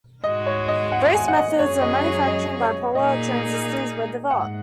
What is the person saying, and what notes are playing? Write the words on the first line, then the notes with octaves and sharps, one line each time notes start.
Various methods of manufacturing bipolar transistors were developed.
G#2 G#3 F#4 D#5
C#5
D#5
F#5
G#5
F#5
D#5
F#2 F#3 C#4 G#4 C#5
D#5
C#5
D#5
C#5
A#2 A#3 D#4 G#4 D#5
G#2 F#5